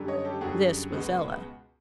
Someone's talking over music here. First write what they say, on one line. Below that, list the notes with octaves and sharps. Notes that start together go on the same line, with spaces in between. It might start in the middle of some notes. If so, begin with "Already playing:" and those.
This was Ella.
Already playing: F#2 D3 G3
C#5 D#5
G4 A4
F#2 D3 G3 F#4 G#4
C#2 B2 G#3 B3